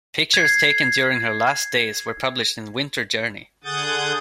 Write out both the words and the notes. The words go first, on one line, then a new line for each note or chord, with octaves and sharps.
Pictures taken during her last days were published in Winter Journey.
G#6 C7
D3 G#4 F#5 D#6 G6 A6